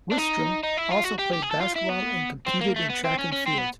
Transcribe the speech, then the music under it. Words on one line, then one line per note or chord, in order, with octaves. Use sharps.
Wistrom also played basketball and competed in track and field.
D4
D#4
D#4
E4
F4
F#4
G4
G4
G#4
A4
F4
E4
B3
C4
A#3
A3
B3
C4
C#4
C#4
C4
B3